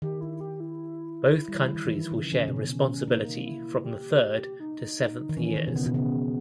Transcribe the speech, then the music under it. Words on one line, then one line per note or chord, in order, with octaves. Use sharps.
Both countries will share responsibility from the third to seventh years.
D#3 G4
E4
G4
E4
G3
E3
D#3
E3
D#3
C#3
D#3 C#4
C#3
B2
C#3
A#3 D#4
E4
G4
D#4
D#3
E3 C#4
D#3
B2
C#3 B3
B2
C#3